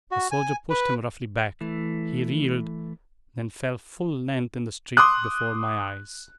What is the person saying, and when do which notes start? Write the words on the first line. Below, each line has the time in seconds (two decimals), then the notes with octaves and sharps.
A soldier pushed him roughly back; he reeled, then fell full-length in the street before my eyes.
0.11 F#4
0.31 G#5
0.70 B4
1.61 E3 A3
4.97 C6 D6 D#6 F#6